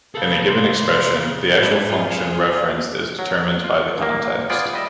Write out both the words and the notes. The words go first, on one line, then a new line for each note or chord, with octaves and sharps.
In a given expression, the actual function referenced is determined by the context.
A#3 G#4 A4 F5
C6
G#2 D4 E4
C3 F4 G#4
F#3
F4
D#2 A#3
B3 F4 G#4 D5 G5
G3 D#5 E5